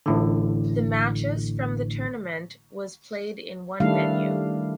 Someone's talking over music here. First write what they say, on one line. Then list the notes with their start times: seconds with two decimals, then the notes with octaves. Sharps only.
The matches from the tournament was played in one venue.
0.06 A1 A2 D3
3.80 D#3 G3 A3 D4 E4 F5